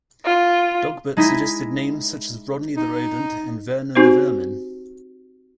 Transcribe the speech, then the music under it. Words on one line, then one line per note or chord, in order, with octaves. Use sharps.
Dogbert suggested names such as 'Rodney the Rodent' and 'Vernon the Vermin'.
F4
G#3 D#4 E4 B6
D#4
C4 D#4 F#4 G4 C5